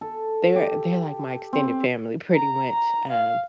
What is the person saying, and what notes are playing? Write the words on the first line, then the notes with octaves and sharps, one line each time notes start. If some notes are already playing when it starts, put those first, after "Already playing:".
they're they're, like, my extended family, pretty much, um
A4
G4
C4
A#5
A#5
F5